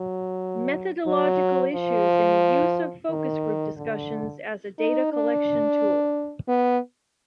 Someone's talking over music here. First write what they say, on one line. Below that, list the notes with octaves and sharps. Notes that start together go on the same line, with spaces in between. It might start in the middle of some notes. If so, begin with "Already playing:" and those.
Methodological Issues in the Use of Focus Group Discussions as a Data Collection Tool.
Already playing: F#3
F#3
F3
D#3
D3
D#4
D4
B3